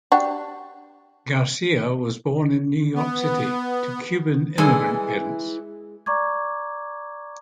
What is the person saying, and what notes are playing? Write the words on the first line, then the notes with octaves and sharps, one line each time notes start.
Garcia was born in New York City, to Cuban immigrant parents.
D4 F#4 G4
B3
E3 G3 G#3 A4 G#5 G#6
D5 A#5 C#6 D6 G#6